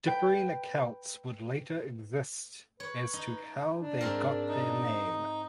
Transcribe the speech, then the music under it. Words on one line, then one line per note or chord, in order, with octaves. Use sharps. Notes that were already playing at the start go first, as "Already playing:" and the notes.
Differing accounts would later exist as to how they got their name.
B4 G5
B4 C#5
D#4
D4
G#2 C4 A#4
D#4